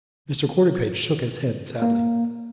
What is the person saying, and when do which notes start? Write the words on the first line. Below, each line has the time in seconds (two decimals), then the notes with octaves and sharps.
Mr. Quarterpage shook his head sadly.
1.82 A#3